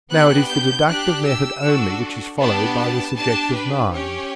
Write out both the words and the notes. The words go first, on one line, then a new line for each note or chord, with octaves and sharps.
Now it is the deductive method only which is followed by the subjective mind.
B3 D4 G4 F#6
G6
D4 G4 F#6
E6
D4 F#4 A4
B3 D4 G4 A5
A5
D4 G4 A5
B4
C#4 G4 C#5